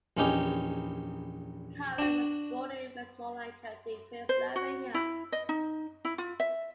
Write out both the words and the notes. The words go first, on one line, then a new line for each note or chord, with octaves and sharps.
Cowan was born in Westmoreland County, Pennsylvania.
A#1 E2 C#4 D#4 G4 G#5
D4 F#4
C5
F#4
E4
D#5
D#4
E4
F4
E5